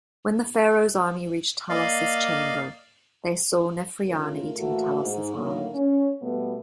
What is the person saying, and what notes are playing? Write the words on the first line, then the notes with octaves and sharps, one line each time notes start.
When the Pharaoh's army reached Talos' chamber they saw Nefrianna eating Talos' heart.
A#3 D5 D#5 F5
C#3 A3 F4 A#4
A2 E3 A3 A#3 F#4
G#2
A2 D3 D#3 F#3 A#3
C#4
B2 G3 A3 B3